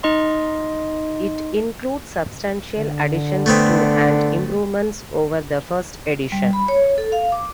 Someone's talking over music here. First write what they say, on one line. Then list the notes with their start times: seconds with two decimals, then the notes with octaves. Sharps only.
It includes substantial additions to and improvements over the first edition.
0.03 D#4 D#5 C6
2.78 D3
3.46 A3 B3 C4
6.32 G3
6.53 B5
6.68 C#5
6.98 A4
7.12 F5
7.32 D6